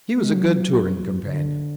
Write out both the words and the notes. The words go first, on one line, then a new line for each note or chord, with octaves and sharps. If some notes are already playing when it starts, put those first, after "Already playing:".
He was a good touring companion.
A3
G#3
F#3
C#3
D3